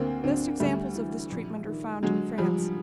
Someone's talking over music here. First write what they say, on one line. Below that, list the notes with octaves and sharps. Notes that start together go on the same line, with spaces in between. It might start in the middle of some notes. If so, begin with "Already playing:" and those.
The best examples of this treatment are found in France.
Already playing: D2 A#3 C4
D2 C4 D4
D2 G3 A3
E3
A#1
D#3
D3 F#3 G#3
F3 G3